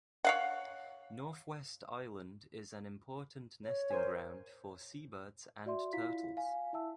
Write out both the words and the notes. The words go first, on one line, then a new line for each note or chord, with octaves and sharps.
North West Island is an important nesting ground for seabirds and turtles.
C#5 F5 F#5
C#5
A#4 C5 G#5
F#4 D5 E5 C6
E4 F4 F5 B6
F5 G#5
E4 E5 A5 E6